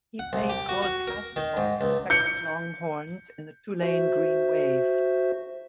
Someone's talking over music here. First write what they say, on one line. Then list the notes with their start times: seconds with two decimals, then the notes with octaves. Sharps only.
He played college basketball for the Texas Longhorns and the Tulane Green Wave.
0.19 F#5
0.33 C2
0.49 G4
0.69 F#4
0.82 F#4
1.07 A#4
1.36 D#3
1.57 G#2
1.81 C#2
2.10 G6 C#7
3.82 F#4 C5 E5